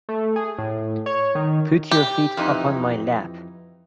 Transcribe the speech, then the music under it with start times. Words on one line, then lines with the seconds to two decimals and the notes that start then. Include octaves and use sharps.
Put your feet up on my lap.
0.09 A3
0.36 G#4
0.58 A2
1.06 C#5
1.35 D#3
1.91 G4
2.37 F2 E3 D#4